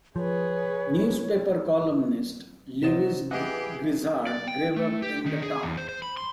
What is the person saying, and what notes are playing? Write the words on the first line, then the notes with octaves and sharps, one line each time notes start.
Newspaper columnist Lewis Grizzard grew up in the town.
F3 G#4 B4 C#5
C3 F#3 C5 D#5 A6 E7
E3 B3 G4 G#4 D#5 F#5
D5
G5
A3
G4
D#3
G#4
E2
C5
C5
B5
C6